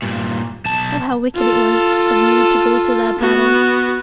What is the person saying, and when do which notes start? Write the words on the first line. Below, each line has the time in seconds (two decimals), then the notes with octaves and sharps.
Oh! how wicked it was of you to go to that battle!
0.02 G2 A#2
0.65 B1 A5
1.35 F4 A4
3.19 B3 F#4